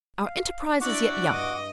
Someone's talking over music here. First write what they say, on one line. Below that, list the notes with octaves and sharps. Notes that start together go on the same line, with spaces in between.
'Our enterprise is yet young.
F5
D4 E4 F#4 D5 F#5 D6
G2 D#5